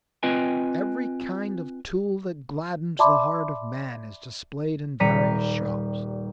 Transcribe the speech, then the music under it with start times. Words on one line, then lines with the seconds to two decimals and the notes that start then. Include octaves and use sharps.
Every kind of tool that gladdens the heart of man is displayed in various shops.
0.23 C4 F4 B4 D#5 G5 G#5
2.99 D5 E5 A5 B5 C6 D6
5.00 D#1 G3 A#5 B6 C#7 D#7